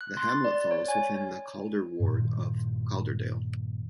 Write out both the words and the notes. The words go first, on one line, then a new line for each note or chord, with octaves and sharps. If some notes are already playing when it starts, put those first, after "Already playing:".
The Hamlet falls within the Calder ward of Calderdale.
F#6
C6
A6
D5
C#5
G#5
G2 A#2 D#3